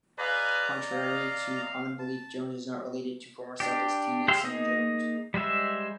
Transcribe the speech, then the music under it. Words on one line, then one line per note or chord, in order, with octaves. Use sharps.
Contrary to common belief, Jones is not related to former Celtics teammate Sam Jones.
G#4 B4 D5 D#5 F5 A#5
F5
A5
D4 G4
G4 G#4 E5 F5 C6
A#3 D#4 G#4 D#5
G3 G#3 C5 E5